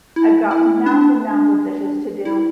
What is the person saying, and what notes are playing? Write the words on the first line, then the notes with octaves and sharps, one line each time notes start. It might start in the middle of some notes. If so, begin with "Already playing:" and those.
I've got mounds and mounds of dishes to do
E4
E4
D4
E4